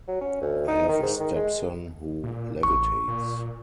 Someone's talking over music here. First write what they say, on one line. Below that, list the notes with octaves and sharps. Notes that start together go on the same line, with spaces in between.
I have a stepson who levitates.
F#3
C#4
D2
D#4
D#3
G#2
D#3
G#3
A#2
A1 C#6
A#2